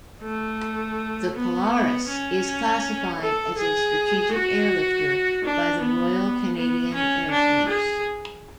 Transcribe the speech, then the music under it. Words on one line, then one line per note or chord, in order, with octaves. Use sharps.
The Polaris is classified as a strategic airlifter by the Royal Canadian Air Force.
A3
B3
B3
C#4
A4
G#4
F#4
D4
B3
B3
C#4
D4
G#4